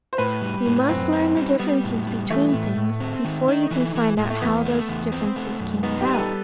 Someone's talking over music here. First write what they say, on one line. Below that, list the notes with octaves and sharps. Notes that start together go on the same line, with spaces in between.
You must learn the differences between things, before you can find out how those differences came about.
C5
A2 B4
G3
A2
F#2 C4
D#4
G3
G3 B3
A2
G3
E3 A3
A2
A2
C4
D#3
D#4
E3
E3
A2
A3
E2 B3
A3
E2
C4
A3
F#2
B3 D#4
G4
G3
B4
A4